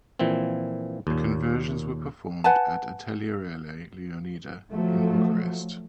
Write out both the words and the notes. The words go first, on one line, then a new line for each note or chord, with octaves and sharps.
The conversions were performed at Atelierele Leonida in Bucharest.
A#2 E3 F3 C4
D#2 A#2
B4 F#5 G#5 A5
F3 F#3 A3